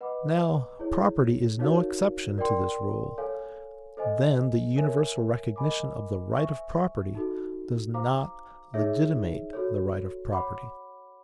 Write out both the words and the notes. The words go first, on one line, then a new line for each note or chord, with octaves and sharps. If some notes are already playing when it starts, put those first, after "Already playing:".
Now, property is no exception to this rule: then the universal recognition of the right of property does not legitimate the right of property.
B4 D#5 F#5 B5 D6
E4 G#4 C#5
D#4 F#4 A#4 C#5 F5
A#4 D5 G5 C6
A4 C#5 F5 G#5
A4 C5 D#5 G#5
A#4 C#5 E5 G#5
A#4 D#5 G#5 B5 D6
C5 E5 G#5 C#6
D#4 F#4 A4
C5 F5 A#5 D6
D#4 G#4 C#5 E5
F#4 A4 C#5
C#5 F#5 B5 D6